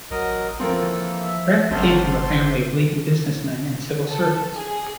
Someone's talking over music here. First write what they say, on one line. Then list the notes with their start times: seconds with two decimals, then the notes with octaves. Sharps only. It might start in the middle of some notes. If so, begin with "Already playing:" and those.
Bratlie came from a family of leading businessmen and civil servant.
0.11 A1 F#3 A#4 D#5
0.60 E3 F3 A#3 C4 F4 A4 A#4
1.21 E5
1.71 G1 C#2 F#2 C3 C5 A5 C6
4.09 A4
4.56 G#4